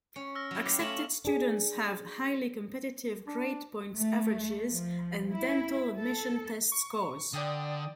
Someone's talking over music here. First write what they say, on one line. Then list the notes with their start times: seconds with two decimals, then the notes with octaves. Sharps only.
Accepted students have highly competitive grade point averages and dental admission test scores.
0.16 C#4 C#7
0.35 E6 F6 A#6
0.51 F#3 E4
0.66 F5 G5 D6
0.79 A3 C#4 F4 A#6 E7 F#7
1.25 D4 G#4
3.27 D4
3.93 A3
4.66 F3
5.30 E4
6.00 A4
6.72 C#6
7.33 D3 D5 G5 D#6